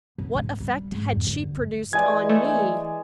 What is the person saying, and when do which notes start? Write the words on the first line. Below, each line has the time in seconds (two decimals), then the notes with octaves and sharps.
What effect had she produced on me?
0.18 F#2
0.35 G#2
0.60 G3
0.92 G#2
1.13 F2
1.27 D3
1.57 G2
1.93 E3 G#3 D5 G#5 G#6
2.29 A3